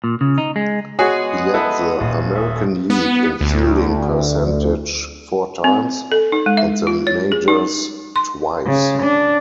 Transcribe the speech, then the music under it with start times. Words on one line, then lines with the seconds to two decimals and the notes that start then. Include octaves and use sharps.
He led the American League in fielding percentage four times, and the majors twice.
0.04 A#2
0.21 C#3
0.38 D#4
0.56 G#3
0.99 G#3 B3 F#4 G#4 C#5 D#6
1.54 E4 A4 B4
2.00 D#1
2.34 G#4 A4 E5
2.90 B3
3.41 D2
5.64 C4
6.12 A4
6.32 D#4
6.46 G#3
6.57 E5
6.87 F4
7.07 C#5
7.32 G#4
7.48 D#4
8.16 C6
8.66 C#3
9.03 D4